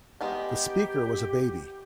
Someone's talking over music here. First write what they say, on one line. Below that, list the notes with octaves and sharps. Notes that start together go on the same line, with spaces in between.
The speaker was a baby!
G#3 B3 D#4 G4